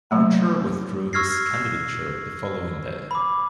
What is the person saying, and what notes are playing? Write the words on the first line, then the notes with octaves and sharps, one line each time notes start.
Archer withdrew his candidature the following day.
F#3 A3 A#3
C#6 E6 F6 G#6 A#6 C7
B5 D6